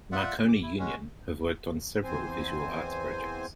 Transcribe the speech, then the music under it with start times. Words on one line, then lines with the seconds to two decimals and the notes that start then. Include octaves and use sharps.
Marconi Union have worked on several visual arts projects.
0.12 F4 D5 E5 F#5
0.49 D6
0.63 E4
0.79 G#3 C#4 F#4
2.04 E2 C4 C5 G#5